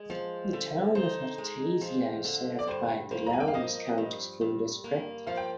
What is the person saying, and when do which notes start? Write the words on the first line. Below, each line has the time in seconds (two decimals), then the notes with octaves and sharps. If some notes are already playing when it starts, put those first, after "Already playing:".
The Town of Artesia is served by the Lowndes County School District.
Already playing: G#3
0.10 F3
0.53 D3
0.95 D#4 C5
1.38 G#3
1.81 F3
2.25 D3
2.59 D5
2.67 G2 C5
3.11 A#3 C5
3.26 A#5
3.33 G#5
3.40 G5
3.48 F5
3.54 F3 D#5
3.98 G2
4.41 G2
4.84 A#3
5.27 F3 F5
5.37 G5